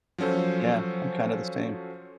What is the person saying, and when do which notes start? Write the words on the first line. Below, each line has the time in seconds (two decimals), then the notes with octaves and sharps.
yeah. I'm kinda the same.
0.18 F3 F#3 C#4 A4 C5